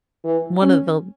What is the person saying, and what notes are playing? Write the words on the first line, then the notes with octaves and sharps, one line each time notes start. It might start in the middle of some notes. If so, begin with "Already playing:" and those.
one of the l
E3
C#4